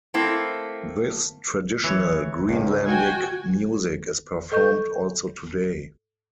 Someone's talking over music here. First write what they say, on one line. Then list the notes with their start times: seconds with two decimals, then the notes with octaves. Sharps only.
This traditional Greenlandic music is performed also today.
0.14 A3 A#3 C4 E4
1.84 E3 C#5
2.49 C#2 G2
2.87 F#4 G5 G#5
4.52 A4 D#5 C#6 G6